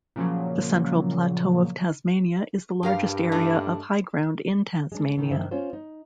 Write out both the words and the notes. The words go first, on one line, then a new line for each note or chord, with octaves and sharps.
The Central Plateau of Tasmania is the largest area of high ground in Tasmania.
A#2 C#3 F3 F#3
G2 G4 A#4 F5
A3 D4 D#4
G#3 D4
A2 D#3
G2 D#3 C5 E5
C#4 F4 C5
D#4